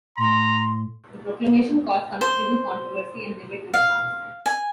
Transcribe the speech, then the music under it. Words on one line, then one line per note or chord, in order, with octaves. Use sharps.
The proclamation caused considerable controversy and debate in France.
A2 A#5 C6
C5
F5
G#5